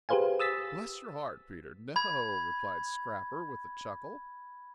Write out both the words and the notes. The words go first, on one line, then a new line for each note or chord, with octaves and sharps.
"Bless your heart, Peter, no," replied Scrapper with a chuckle.
G4 G#4 B4 C5 F5 G#5
D#6 E6 A6 B6
B5 G#6